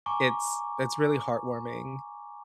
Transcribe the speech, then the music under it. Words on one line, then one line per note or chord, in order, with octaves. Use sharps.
it's it's really heartwarming.
G#5 A#5 C#6 D6